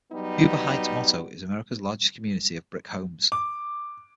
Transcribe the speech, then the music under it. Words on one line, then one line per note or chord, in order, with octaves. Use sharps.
Huber Heights' motto is America's largest community of brick homes.
F#3 G3 B3 D#4
D6